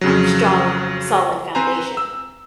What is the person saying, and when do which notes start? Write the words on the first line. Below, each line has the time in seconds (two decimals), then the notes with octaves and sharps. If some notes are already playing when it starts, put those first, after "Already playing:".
strong, solid foundation.
0.01 F2 C#3 F#3
1.55 C4 B4 C5 G#5 A#5
1.97 E6